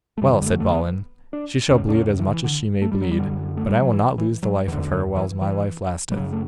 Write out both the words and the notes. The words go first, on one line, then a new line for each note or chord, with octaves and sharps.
Well, said Balin, she shall bleed as much as she may bleed, but I will not lose the life of her whiles my life lasteth.
A3
F#2 D3 G3
G3
A3
A3
B3
D4
E2 C#3 C#4
D4
C#4
E3
D3
E3
D3
A3
G3
F#3
G3
F#2 D3
A3
G3
F#3
E3
E3
F#3
E2 D3 E3
D3
E3
E3
G3
F#2 C#3 F#3
A3